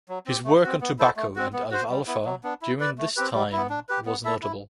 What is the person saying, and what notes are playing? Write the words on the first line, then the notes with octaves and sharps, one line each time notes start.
His work on tobacco and alfalfa during this time was notable.
F#3
C4 G4
A3
C4 F#4
B3
E4 A4 C5
A3
C4 F#4
B3
F#4 C5
G3
B3 E4
F#3
B3 D4
E4
B4 D5
A3
C4 G4 B4
G3
B3 E4
D4
G4 B4
B3
E4 A4 E5
E4